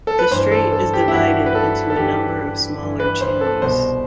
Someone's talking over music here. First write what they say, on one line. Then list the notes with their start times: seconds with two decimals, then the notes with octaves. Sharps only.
The strait is divided into a number of smaller channels.
0.07 A4
0.19 B4
0.31 G2 E3 C5
0.51 A4
0.72 A4
0.93 G4
1.08 E4
1.13 G2 E3 F#4
1.46 B4
1.55 A4
1.90 A4
1.96 G2 E3 G4
2.79 G2 E3
3.00 B4
3.21 C5
3.41 A4
3.62 C2 B2 C5